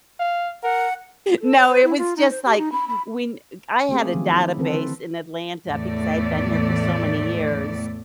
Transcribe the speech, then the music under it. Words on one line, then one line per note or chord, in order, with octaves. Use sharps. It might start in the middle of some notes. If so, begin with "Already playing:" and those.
No, it was, just, like, when I had a database in Atlanta because I've been here for so many years
F5
A#4 F#5
A4
C#5
C5
E4
F4
D#4
C5
G4
D#4
B5
B5
A3 A#3 C4 C#4 G4 G#4
D#3 F3 F#3
E4
D3 E3 C4 A4 B4
E2 A2 A3 D5